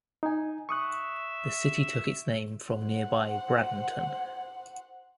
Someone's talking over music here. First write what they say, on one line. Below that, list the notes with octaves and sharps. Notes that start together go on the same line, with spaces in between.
The city took its name from nearby Bradenton.
D#4 G#5
E5 C#6 D#6 F#6
C5 F#5